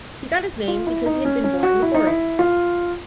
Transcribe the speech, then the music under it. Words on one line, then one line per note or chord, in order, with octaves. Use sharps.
He got his name because he had been born in the forest.
F4
E4
D#4
C#4
C#4
F#4
E4
D#4
E4
F4